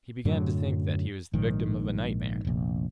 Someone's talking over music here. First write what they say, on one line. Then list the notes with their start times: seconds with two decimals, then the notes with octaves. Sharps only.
He began to think that he was the victim of a nightmare.
0.25 F#2 A2 D3 F#3
1.34 A#1 G#2 D#3
2.45 F1 A#1